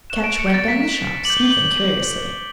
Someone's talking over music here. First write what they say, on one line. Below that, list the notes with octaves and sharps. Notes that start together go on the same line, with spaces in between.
Ketch went down the shop, sniffing curiously.
C#6 F#6 E7
D7
C#7
A6
B6
D6 G6 F#7
G7
F#7